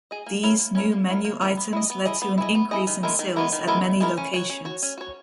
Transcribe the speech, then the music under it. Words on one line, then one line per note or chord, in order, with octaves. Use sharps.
These new menu items led to an increase in sales at many locations.
G#4 D#5
A#3
C#4 E4 A#4
A#3
C#4 E4 A#4
A#3
C#4 E4 A#4
A#3
C#4 E4 A#4
B3
E4 G#4 D#5
B3
E4 G#4 D#5
B3
E4 G#4 D#5
B3
E4 G#4 D#5
D#3
G#3 B3 E4 A#4
D#3
G#3 B3 E4 A#4
D#3
G#3 B3 E4 A#4
D#3
G#3 B3 E4 A#4
C#4
F#4 C#5
C#4
F#4 C#5
C#4
F#4 C#5